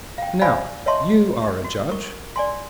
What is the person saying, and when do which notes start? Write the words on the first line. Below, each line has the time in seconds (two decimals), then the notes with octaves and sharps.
Now, you are a judge!
0.18 F5 G5
0.41 C5 D5 F5 G#5 B5
0.86 C#5 D#5 E5 A5 C6 C#6
1.64 F#4
1.90 A#4 C#6
2.36 D5 G#5 C6